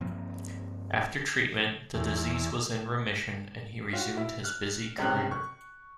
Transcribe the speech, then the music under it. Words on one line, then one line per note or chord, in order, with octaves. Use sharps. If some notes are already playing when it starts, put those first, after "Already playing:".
After treatment, the disease was in remission and he resumed his busy career.
G2 F3 A#3 C4
E2
F4 F#4
E4
F6 F#6
C#2 C3 C#4 G5 F#6
C#6